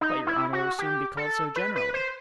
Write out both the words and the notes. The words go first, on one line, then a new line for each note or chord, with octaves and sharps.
"But your honor will soon be called so generally."
D#4
E4
F#4
G4
A4
B4
B4
C5